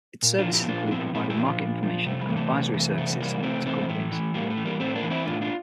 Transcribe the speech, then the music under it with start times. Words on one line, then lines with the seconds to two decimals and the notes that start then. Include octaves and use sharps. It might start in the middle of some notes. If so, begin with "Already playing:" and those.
Its services include providing market information and advisory services to companies.
0.22 A#2
0.38 D4 F4
0.45 F3
0.53 E4 G4
0.68 A#2 D4 F4
0.87 D4
0.91 F3 C4 E4
1.14 A#2 C4 E4
1.30 E4 G4
1.38 F3
1.45 D4 F4
1.60 A#2
1.83 F3
2.06 C3 A3
2.21 G3
2.29 E3
2.37 A3
2.52 C3
2.74 E3
2.98 C3 A3
3.20 E3 G3 A#3
3.43 C3 A3 C4
3.66 E3 A3 C4
3.89 A2 A3
4.12 E3
4.34 A2 G3 A#3
4.50 A3
4.57 E3
4.65 G3 A#3
4.80 A2 A3 C4
4.95 A#3 D4
5.03 E3
5.10 C4 E4
5.26 A2 D4 F4
5.41 D4 F4